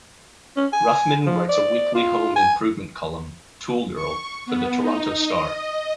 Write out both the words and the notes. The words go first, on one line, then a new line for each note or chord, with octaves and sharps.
Ruffman writes a weekly home improvement column, "ToolGirl", for the "Toronto Star".
C#4
G#5
F3
D5
F4
G#5
C#6
B3
D#4
D#5